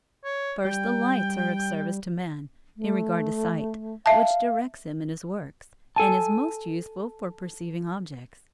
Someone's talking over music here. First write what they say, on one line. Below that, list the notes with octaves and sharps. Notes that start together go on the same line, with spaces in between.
First, the lights are of service to man, in regard to sight, which directs him in his works, and is most useful for perceiving objects.
C#5
G3 G5
A3
E5 F5 A5
A4 G#5 A5